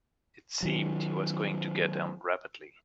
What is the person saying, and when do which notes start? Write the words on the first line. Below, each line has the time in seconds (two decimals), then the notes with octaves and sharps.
It seemed he was going to get on rapidly.
0.63 D#3 F#3